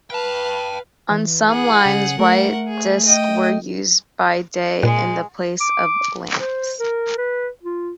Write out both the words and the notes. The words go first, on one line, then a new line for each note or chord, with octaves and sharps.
On some lines white discs were used by day in the place of lamps.
B4 F5 G5 A5
E3
G#4 F#5
C#3
A3 A#4 F#5
G#4
D#5 G5
A#2 G#3
D6
C5
A#4
B4
F4